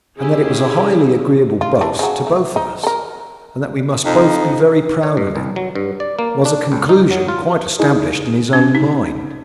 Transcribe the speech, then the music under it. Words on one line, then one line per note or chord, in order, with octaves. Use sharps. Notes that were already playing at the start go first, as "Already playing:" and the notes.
And that it was a highly agreeable boast to both of us, and that we must both be very proud of it, was a conclusion quite established in his own mind.
C#3 C#4 E4 G4 G#4
F4
E3 D4
C#3 F#3
A3
D#4
A4 A#4
F2 D#4
C#5
G2
C2
F#3
G2
D5
A#3
D4
C#2
D#4
F#3
F4
D#4 E4 G#4 D#5
C#4
D#4